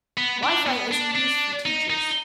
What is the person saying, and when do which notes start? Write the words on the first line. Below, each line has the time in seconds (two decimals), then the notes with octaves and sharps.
WiFi is in use for teachers.
0.17 B3
0.43 D4
0.66 B3
0.92 D4
1.16 D4
1.66 D#4
1.90 D#4